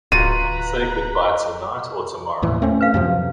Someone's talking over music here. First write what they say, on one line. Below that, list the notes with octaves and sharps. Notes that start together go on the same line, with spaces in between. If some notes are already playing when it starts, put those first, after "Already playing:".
Come say goodbye tonight or tomorrow.
D1 F4 F#4 B4 A#5 D#7
D#2 A2 E3
A3 C4 C#4
B4 F5
F#2 C3 F3